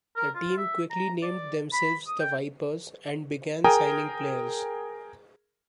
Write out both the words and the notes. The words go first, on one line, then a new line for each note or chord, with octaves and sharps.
The team quickly named themselves the Vipers, and began signing players.
A#4
F4
E5
A#5
D5
B5
D#6
G5
G#4 A#4 G5 G#5 A#5 D#6